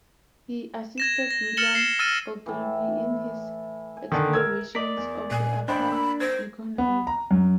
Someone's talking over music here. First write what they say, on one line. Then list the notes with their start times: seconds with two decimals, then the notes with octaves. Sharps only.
He assisted William Ogilvie in his explorations of the upper Yukon River.
0.98 G#6 A#6 E7
1.31 A#6
1.57 F6 A6 C#7 E7 F#7 G7
1.75 C7 E7
1.99 E6 F6 A6 D#7
2.46 A2 E3
3.97 G#5
4.12 D3 D#3
4.33 A#4 E6 G#6
4.75 A#4 D5 D#5 B6
4.97 E2
5.31 A#2 G#5 F#6
5.68 A1 D4 C5 G5 B5 F#6
5.92 A#3 E6
6.20 C5 G#6 A#6
6.78 B3
7.07 A#5
7.31 F#2